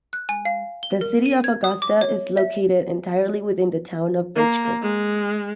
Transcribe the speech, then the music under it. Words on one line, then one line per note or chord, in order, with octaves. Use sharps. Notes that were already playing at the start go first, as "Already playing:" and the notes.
The city of Augusta is located entirely within the town of Bridge Creek.
F#6
G#5
F5
G7
A#4
D#7
G#6
D#6
D6
C#5
E5
A#3
G#3